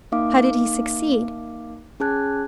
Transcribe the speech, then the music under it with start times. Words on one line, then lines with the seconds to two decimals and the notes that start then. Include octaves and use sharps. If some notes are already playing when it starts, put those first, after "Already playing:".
'How did he succeed?'
0.12 A#3 D#4 F5 D6
2.00 C#4 G#4 A5 F#6 G#6